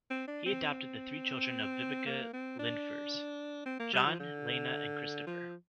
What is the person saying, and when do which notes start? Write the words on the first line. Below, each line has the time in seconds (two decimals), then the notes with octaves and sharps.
He adopted the three children of Viveca Lindfors, John, Lena and Kristoffer.
0.10 C4
0.28 D4
0.46 C4
2.06 A#3
2.33 C4
2.59 D4
3.66 C4
3.80 A#3
3.93 G3
4.07 F3
4.20 D3
5.27 F3